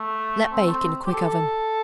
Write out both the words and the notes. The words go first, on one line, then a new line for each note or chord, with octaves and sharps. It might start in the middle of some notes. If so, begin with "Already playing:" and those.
Let bake in a quick oven.
Already playing: A3
C4
A3
C4
G4
A4